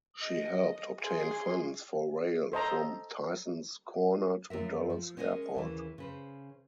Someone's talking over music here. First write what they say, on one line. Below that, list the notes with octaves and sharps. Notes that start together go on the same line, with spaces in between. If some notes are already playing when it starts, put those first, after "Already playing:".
She helped obtain funds for rail from Tysons Corner to Dulles Airport.
D#5
G#4 C6
A4 C5 D#5 A#5
F#2 F3 A#4 E5
F3
G#3 C#4 A#4 C5 D#5
D#2 C#3 E3
C#3 B4 C5